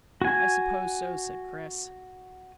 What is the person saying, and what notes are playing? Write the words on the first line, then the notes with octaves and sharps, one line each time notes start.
"I suppose so," said Chris.
F#4 G#5